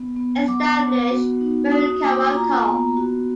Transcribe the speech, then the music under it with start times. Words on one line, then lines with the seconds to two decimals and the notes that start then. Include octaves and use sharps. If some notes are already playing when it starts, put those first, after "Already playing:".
Established Marukawa Conf.
Already playing: B3
0.17 B3
0.48 F#3 D6
0.79 B3
1.11 F#4
1.41 D#4
1.72 F#4 D#6
2.03 A#3 D6
2.34 F4 A#5
2.65 B3
2.97 F#4